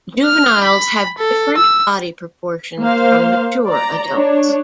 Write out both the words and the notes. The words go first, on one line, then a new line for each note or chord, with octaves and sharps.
Juveniles have different body proportions from mature adults.
F6
B5
A4
E6
A#3 C5 F5
D5 A#5
D4 C#5